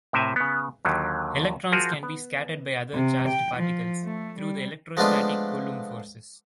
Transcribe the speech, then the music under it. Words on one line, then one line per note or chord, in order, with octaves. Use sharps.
Electrons can be scattered by other charged particles through the electrostatic Coulomb forces.
A2 C3 A#4 C5 E5 G#5
C#3 B3
D#2 D3 D#3 F#3
F3 F4 F#4 G#4 A#4
B3
C3
G5
F3
A3
G3
F3 G#3 A3 B3 D4 F4